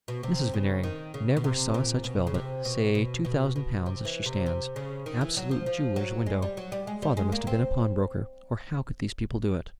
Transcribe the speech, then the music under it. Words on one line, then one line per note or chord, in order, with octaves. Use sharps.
Mrs Veneering; never saw such velvet, say two thousand pounds as she stands, absolute jeweller's window, father must have been a pawnbroker, or how could these people do it?
B2
C3
C#3
D#3
C#3
B2
C3
A#2
B2
C#3
C3
B2
B2
B2
B2
C3
E3
C3
C3
C#3
D#3
E3
F#3
F3
F3
F#3
G#3
G3
F#3
G3
G#3
G3
G#3
A#3
C4